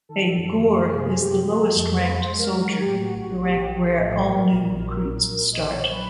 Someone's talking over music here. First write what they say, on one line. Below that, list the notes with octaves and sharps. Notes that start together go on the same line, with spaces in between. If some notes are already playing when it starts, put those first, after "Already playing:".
A gorr is the lowest-ranked soldier, the rank where all new recruits start.
D#3 A4
F#2
F#2
C3 G#4
C3 G4
F3 F#4
F2 A4
B4
G#3
C5
G#3
A#4
F#3 A#4
G4
A2
F#4
A#1
F#4
A#1 G4
A#1
A4
A2
A#2 A#4
A#1
A#2
A#2
A#1
D#5
A#1 D5
C#5
C5
F#3 B4